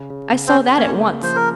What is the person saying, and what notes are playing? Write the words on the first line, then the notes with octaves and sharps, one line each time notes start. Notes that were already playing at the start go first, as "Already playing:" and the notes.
I saw that at once.
Already playing: C#3
C#3
C#3
C4 C5
C#3
A#3 C#4 C#5
C#3
F3 C5
A#4